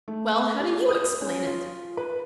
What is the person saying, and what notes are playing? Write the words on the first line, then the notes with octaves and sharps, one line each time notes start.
"Well, how do YOU explain it?"
A3
G4
D#6
C#4
F4
B4